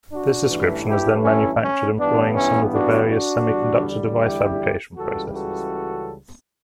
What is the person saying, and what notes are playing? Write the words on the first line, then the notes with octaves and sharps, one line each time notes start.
This description is then manufactured employing some of the various semiconductor device fabrication processes.
D4 F#4
A1 G2 E3 A3
E4 G4
C#4 E4
C#4
G2 E3 B3 D4
C#4 E4
D4 F#4
D4 F#4
E2 D3 G3
E4 G4
C#2 C#3 E3 G3 F#4 A4
F#4 A4